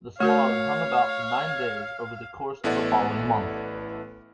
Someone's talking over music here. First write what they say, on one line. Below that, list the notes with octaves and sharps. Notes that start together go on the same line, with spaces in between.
The smog hung about for nine days over the course of the following month.
A3 F#4 A#4 C#5 F5
A1 B3 E4 A4 D5 F#5